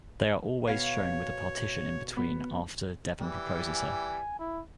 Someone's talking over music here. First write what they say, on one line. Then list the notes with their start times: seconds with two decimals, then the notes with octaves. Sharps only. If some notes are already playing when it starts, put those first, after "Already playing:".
They are always shown with a partition in between after Deven proposes her.
0.67 B2 C#5 F5
2.16 B3
3.20 E3 G3
3.68 G#5
4.39 E4